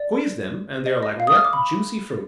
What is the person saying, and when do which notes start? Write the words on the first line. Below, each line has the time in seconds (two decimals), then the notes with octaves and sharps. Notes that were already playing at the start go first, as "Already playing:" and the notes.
Squeeze them, and they are like wet, juicy fruit.
Already playing: D5
0.86 D#5
1.03 D#5
1.20 F5
1.27 D#6
1.36 F6
1.45 D6
1.53 B5